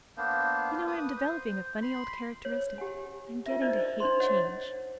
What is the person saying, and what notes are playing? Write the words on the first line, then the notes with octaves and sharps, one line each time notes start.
You know I am developing a funny old characteristic; I am getting to hate change.
A#3 B3 D4 C5
B4 D#6
C5
B5 C6
C#5
G4 F#5 G#5
F4 A#4 E5
D4 D#4 A#4 C5 D5 D#5
D4 D#4 C5 C6
C5 C#5 D#5 F#5